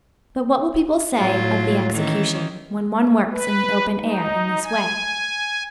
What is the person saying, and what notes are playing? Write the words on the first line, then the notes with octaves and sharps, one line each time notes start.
But what will people say of the execution when one works in the open air in this way?
A2 F#3 F4
D#3 E3 C#4
B4
D#4
G#5